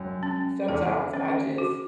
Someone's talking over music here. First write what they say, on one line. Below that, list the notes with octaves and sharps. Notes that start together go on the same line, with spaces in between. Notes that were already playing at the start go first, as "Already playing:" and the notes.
sometimes I just
Already playing: F#2
C#4
E2 A4
C#4
F#4